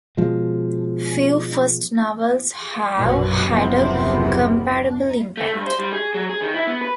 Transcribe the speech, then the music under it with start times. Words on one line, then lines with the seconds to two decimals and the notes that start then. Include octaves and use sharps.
Few first novels have had a comparable impact.
0.17 B2 F3 G#3
2.96 A#1 F#2 B2
3.46 F#1 D#2 C3 F3 B3
5.37 A3
5.54 G2
5.67 C5
5.79 G3
5.93 G#4
6.14 F#3
6.29 G#4
6.42 D#3
6.54 E4
6.67 B3
6.81 B4